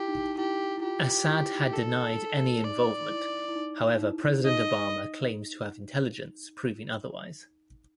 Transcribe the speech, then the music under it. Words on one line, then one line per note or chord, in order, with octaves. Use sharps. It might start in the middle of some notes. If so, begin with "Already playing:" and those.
Assad had denied any involvement, however President Obama claims to have intelligence proving otherwise.
Already playing: E4 G4
D#4
D#4
E4 G4
E4
F4 G4
E4
D#4
A4
D#4 D5
E4
E4
D#4
D#4
E4
D#4 D#5